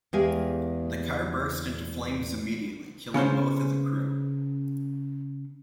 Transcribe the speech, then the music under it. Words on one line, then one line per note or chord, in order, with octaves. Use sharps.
The car burst into flames immediately, killing both of the crew.
E2 G#3 G4 G#4 F5 G#5
C#3 B3 C#4 C5